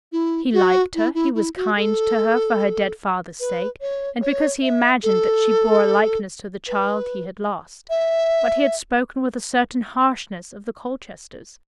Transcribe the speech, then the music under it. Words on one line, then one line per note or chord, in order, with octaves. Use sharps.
He liked her; he was kind to her for her dead father's sake and because he imagined that she bore a likeness to the child he had lost; but he had spoken with a certain harshness of the Colchesters.
E4
F#4
E4
E4
E4
F#4
A4
B4
C#5
C#5
E5
A4
B4
E5